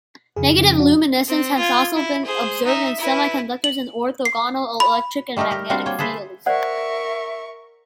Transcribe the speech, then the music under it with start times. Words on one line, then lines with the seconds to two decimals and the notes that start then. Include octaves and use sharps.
Negative luminescence has also been observed in semiconductors in orthogonal electric and magnetic fields.
0.36 F2 C#3 G#4
0.58 C#3 G5
0.80 D4 F#4
1.28 C4
1.58 F4 G#6
1.95 E4
2.25 G#4 C5
2.65 D#4 E5
2.99 E4 B4
3.64 F#7
4.25 C7
4.80 B5
5.37 G3 A3 D#4 G4 A#4
5.51 G4 A#4
5.70 G3 C4 D4 F#4 F5
5.86 A#3 C#5 G5
5.99 G#4 A4 B4 C5 E5
6.46 A#4 C5 D5 E5 F#5 C#6